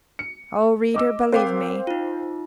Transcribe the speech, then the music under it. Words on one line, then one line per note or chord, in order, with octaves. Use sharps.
Oh, reader, believe me!
C#7
D#5 D6 E6
C4 A#4 C5 F5 G5 D6
D#4 F4